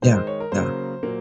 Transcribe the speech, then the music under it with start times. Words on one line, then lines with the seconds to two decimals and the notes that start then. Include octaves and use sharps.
Yeah, yeah.
0.02 D#3 G#3 C5
0.15 C5
0.27 C#5
0.40 A#4
0.52 C#3 F#3 A#3 C5
1.03 A#2 F#3 A#3